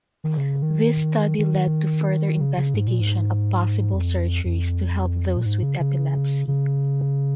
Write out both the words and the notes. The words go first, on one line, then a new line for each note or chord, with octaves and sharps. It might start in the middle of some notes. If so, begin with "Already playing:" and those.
This study lead to further investigation of possible surgeries to help those with epilepsy.
D#3
C#3
D#3
D#3
C#3
C#3
G#2
A#2
G#2
F2
F2
A#2
G#2
C#3
C#3
C#3